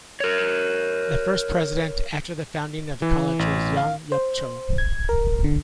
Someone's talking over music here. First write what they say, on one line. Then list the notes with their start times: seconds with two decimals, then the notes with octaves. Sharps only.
The first president after the founding of the college was Young Yup Cho.
0.20 A#4 C#5
3.02 E3
3.39 A1
3.77 F5
4.12 C5
4.78 G#6
5.09 A#4
5.44 D3